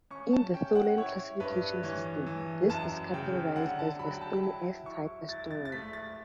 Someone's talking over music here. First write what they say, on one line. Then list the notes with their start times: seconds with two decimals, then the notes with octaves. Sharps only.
In the Tholen classification system, this is categorized as a stony S-type asteroid.
0.10 C#4 C#6
0.33 A5
0.54 C#4 G5
0.75 F#5
0.97 E4 C#5
1.40 G2 B4
1.83 E3 C#5
2.26 E3
2.70 F#2 A5
3.13 C#3 G5
3.56 D3 F#5
3.79 A5
3.99 F#3 B5
4.11 G5
4.21 A5
4.36 B5
4.43 E4 A5
4.85 E4 C#6
5.29 E4 A6
5.51 A6
5.65 A6
5.72 A3 B6
5.93 A6